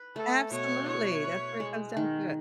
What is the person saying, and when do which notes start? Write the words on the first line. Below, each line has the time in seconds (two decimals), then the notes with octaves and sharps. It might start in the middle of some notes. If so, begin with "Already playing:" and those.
Absolutely, that's where it comes down to it.
Already playing: B4
0.16 A3 A4
0.51 B2 C#5
0.87 E4 C#5
1.24 B4
1.60 G#3
1.97 D#3